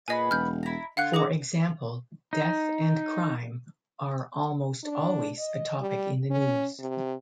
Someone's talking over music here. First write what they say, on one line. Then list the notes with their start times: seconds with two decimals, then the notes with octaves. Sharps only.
For example: death and crime are almost always a topic in the news.
0.08 A#2 B3 G#4 B4 D#5 G#5
0.31 E1 F6 G6
0.63 E4 A#5
0.97 D3 F4 F#4 C#5 F5 F#5 F#6
1.13 F#4 G#4 C#5 A#5 D6
2.33 D#4
4.84 D4
5.38 D#5
5.79 G3
6.31 C#4
6.79 C3